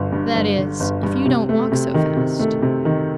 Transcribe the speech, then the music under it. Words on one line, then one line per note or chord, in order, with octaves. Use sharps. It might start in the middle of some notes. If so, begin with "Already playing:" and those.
That is, if you don't walk so fast.
Already playing: G1 D3
G2
G1
D3
G1
G2
C3
A3
C3
D#3
C3
A3
C3
D#3